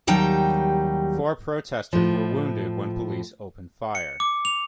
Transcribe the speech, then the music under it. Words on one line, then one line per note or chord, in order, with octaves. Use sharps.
Four protesters were wounded when police opened fire.
D#2 F#3 G3 D#4 G5 A5
A2 F3
C#7
D6
F7